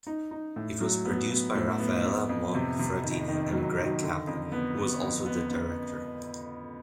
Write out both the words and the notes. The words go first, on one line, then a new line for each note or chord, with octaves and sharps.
It was produced by Rafaela Monfradini and Greg Kaplan, who was also the director.
D#4
D#4
A2
F#3
B3
B3
A2
B3
F2
F2
C3
C3
D#3
D#3
F#3
D#3
D3
F2
B3
B3
F2
B3
B3